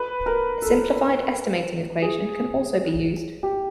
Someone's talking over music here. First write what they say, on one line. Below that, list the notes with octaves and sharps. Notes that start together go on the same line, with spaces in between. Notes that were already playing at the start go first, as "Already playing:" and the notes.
A simplified estimating equation also can be used.
Already playing: B4
A#4
A4
G#4
G4